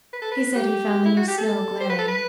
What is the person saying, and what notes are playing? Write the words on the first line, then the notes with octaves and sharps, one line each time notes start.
He said he found the new snow glaring.
B4
A4
B4
G4
E4
F#4
G4
A4
C5
B4
A4
B4